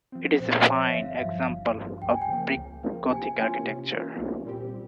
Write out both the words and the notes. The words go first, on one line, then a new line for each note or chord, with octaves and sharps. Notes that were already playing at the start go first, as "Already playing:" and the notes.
It is a fine example of Brick Gothic architecture.
F3 C4
A#2 C5
E5
C#5
F3 C4
E5
E5
G1 F5
G2 F3
G1
G2 F3
C#2 G5
G#5
G5
C#3 F3 A#3
C#2
C#3 F3 A#3
C3 G#5
E3 A#3 C#4 F4 G#5
C3
E3 A#3 C#4 F4
C2
A#2 G3 C4 G4